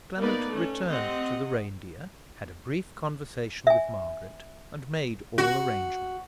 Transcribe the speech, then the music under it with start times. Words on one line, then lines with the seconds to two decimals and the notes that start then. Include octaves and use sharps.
Clement returned to the Reindeer, had a brief conversation with Margaret, and made all arrangements.
0.18 A#3 B3 D#4 B4 D5
0.48 A3 C#4
0.88 C4 G4 D#5 F#5
3.67 E5 G#5
5.38 F#4